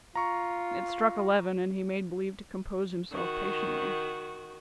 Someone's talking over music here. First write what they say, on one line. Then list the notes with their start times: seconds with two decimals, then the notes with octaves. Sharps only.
It struck eleven, and he made believe to compose himself patiently.
0.15 F4 A#5 C#6
3.11 D#3 F#4